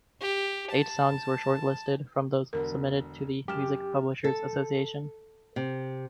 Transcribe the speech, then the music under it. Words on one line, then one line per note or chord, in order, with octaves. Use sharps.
Eight songs were shortlisted from those submitted to the Music Publishers Association.
G4
A5
E1 D3 A#4
F#2 G4 F6 E7
A4
C3